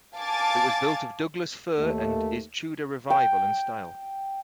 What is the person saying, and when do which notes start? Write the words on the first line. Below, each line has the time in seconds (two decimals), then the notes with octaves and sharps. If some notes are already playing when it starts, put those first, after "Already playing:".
It was built of Douglas fir and is Tudor Revival in style.
0.16 F5 G#5 A5 D6 A6
1.78 D#2 A3
3.10 G5